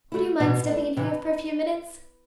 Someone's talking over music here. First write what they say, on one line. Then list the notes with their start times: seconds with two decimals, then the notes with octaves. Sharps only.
Would you mind stepping in here for a few minutes?
0.12 A3 E4
0.40 B2 E3
0.68 A3 D4
0.97 C3 E3